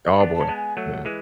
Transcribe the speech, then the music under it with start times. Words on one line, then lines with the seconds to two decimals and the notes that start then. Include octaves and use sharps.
Oh, boy. Yeah.
0.13 F#5
0.16 B3 D4 D5
0.35 A5
0.40 C#4
0.48 G#3 B3
0.56 G#5
0.76 F#3 A3 F#5
1.05 E3 G#3 B4